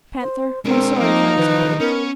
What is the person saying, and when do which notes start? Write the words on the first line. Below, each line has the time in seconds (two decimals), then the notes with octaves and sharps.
'Panther, I'm sorry if I was a brute.'
0.21 C5
0.65 G#3 C4 D4 A#4
1.00 F3 A#3 D#4
1.38 D#3 E3 B4
1.80 B3 C#4 A#4